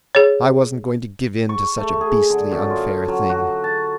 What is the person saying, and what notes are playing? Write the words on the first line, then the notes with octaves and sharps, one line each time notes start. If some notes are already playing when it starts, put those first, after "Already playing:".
I wasn't going to give in to such a beastly unfair thing.
G#4 C#5
C#6
A3
G#4
D3
F#2
F4
F#3
F#4
A5